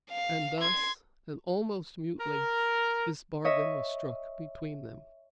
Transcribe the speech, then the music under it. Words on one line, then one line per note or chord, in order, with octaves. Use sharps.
And thus, and almost mutely, this bargain was struck between them.
F5
C6 G#6
A#4
C#5 D#5 E5